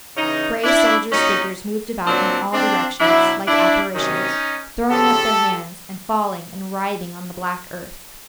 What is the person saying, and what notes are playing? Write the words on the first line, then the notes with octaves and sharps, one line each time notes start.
Grey soldiers' figures moved about in all directions like apparitions, throwing up their hands and falling and writhing on the black earth.
C#3 E3 C#4 D#4
D4 E4
A#2 F#3 C#4 D#4
A#2 F#3 C4 D4
C4 D4
B2 F#3 D4 E4
D4 E4
C3 D#3 F#3 C#4 D#4
C#3 F3 G4 A4